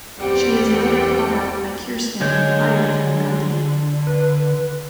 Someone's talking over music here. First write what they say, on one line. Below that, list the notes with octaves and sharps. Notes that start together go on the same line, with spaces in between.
She is later caught out by Kirsten and fired from the company.
E2 G3 C4 F#5 G5
D3 G#3 C#5 G6
B4